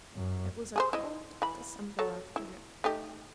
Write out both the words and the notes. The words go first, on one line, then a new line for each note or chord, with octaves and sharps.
It was a cold December afternoon.
F#2
G#4 A4 C5
E4 D#5
E3 B5
F#3 A4 C#5
E4
A3 D#4 G4